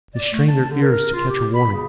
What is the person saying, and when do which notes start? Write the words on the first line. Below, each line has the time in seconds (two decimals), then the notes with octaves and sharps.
They strained their ears to catch a warning.
0.15 D5
0.32 A3
0.47 A5
0.70 D3
0.82 A#4
1.13 F4
1.28 G4
1.55 B5
1.72 C#3